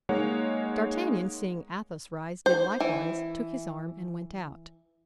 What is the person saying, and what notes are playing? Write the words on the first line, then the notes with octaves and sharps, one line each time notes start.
D'Artagnan, seeing Athos rise, did likewise, took his arm, and went out.
G#3 A#3 D#4 C#5 F#5
C5
E3